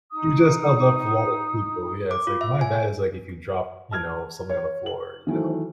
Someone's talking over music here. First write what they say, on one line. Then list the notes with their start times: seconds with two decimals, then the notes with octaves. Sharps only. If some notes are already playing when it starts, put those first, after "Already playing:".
you just held up a lot of people yeah, it's like my bad is like if you drop, you know, something on the floor, you know?
0.12 D#4 D#6
2.11 D6
2.27 F4
2.41 E5
2.61 G#5
3.91 A5 F6 G#6
4.50 C#5
4.86 F#7
5.27 D#3 E3 F#3 A3